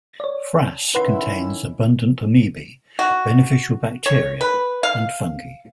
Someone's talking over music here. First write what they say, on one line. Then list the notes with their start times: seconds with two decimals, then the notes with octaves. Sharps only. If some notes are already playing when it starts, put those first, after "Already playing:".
Frass contains abundant amoebae, beneficial bacteria, and fungi.
0.20 C#5 D5
0.95 D#3 C#4 E4 B4 F#5 C6
2.99 F#4
4.06 C#5
4.41 B4
4.83 F5